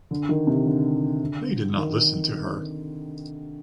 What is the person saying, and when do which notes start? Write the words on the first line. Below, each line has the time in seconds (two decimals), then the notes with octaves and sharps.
They did not listen to her.
0.11 D3
0.29 D#3
0.47 C3
0.65 D3
1.76 D#3